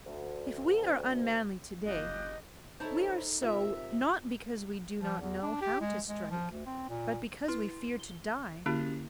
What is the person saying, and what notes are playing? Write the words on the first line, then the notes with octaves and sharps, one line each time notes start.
If we are unmanly today, we are so, not because we do not know how to strike, but because we fear to die.
D2
F#1 F4 G4 D#5 F#6
D#4 E4 A4 C5 C#5 A5 G6
C3 F4 A#4 E5
F3
E2
D4
G4
G#3
G#3
F3
D2
C4
A#2
E4 B4 C6
G7
D3 A#3 C#4 E4 F#4 G4